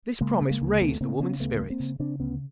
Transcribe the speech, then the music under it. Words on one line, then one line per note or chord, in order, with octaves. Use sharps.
This promise raised the woman's spirits.
C#3 G#3 A#3
C#3
G#3 A#3
D2
D2 A3 B3
C#3 A#3 C4
C#3 B3 C#4
D2 A3 B3
D2
A#3 C4
C#3
C#3 C4 D4
D2 B3 C#4